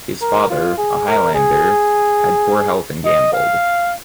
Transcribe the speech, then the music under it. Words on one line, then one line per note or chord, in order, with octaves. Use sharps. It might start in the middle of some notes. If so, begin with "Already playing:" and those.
His father, a Highlander, had poor health and gambled.
A#4
F4
G#4
A#4
G#4
D#5
F5